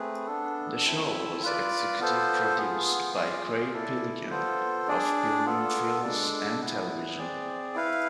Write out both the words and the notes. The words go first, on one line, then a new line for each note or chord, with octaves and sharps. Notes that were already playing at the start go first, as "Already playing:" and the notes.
The show was executive produced by Craig Piligian of Pilgrim Films and Television.
Already playing: A3 C4 G#4 B4
B3 D4 A4
C4 E4 A4 E5
F4 B4 D5
B3 F4 A4 C5
B3 F4 G#4
F4 G#4 D5 F5
E4 A4 D5
B3 F4 A4 C5
D4 G#4 D5
B3 F4 A4
G#3 D4 A4 D5
B3 E4 B4
C4 G#4 D5
E4 B4 F5